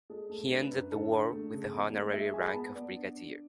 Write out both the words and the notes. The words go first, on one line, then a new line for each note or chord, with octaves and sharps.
He ended the War with the honorary rank of Brigadier.
G#3 A4
A3 A4
D4
B4
F#2
D3 A4
D3
A3
C#3
E2
A3
G#3 E5
G#3 G#5
B5
B3 A5
B3 D5
D4
D4